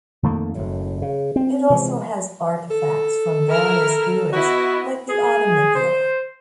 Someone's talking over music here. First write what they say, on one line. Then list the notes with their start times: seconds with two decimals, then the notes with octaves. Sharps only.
It also has artefacts from various eras like the Ottoman Era.
0.23 F2 D#3 A3 A#3
0.55 F#1 F#2 A2
1.02 C#3
1.36 C4
1.70 C3 E3 F3 G#3
2.71 A4
3.50 E4 A#4 F6
4.33 B3 E4 F#4 D#5
5.09 G#4
5.74 C5